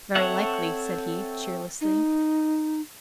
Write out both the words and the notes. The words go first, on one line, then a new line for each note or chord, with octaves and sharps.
"Very likely," said he cheerlessly.
C4 A4 C#5 E5 F#5
D#4